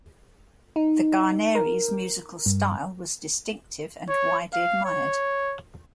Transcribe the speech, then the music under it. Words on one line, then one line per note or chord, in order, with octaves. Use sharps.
The Guarneri's musical style was distinctive and widely admired.
D#4
A#4
G2
C#5
F5
C#5